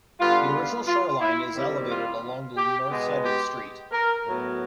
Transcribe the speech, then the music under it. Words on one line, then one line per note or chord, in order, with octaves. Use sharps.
The original shoreline is elevated along the north side of the street.
D3 G3 B3 F4
F4
E4
D#3 G3 C4
F4
G4
B2 G#3 B3
G4
A#4
A2 F#3 B3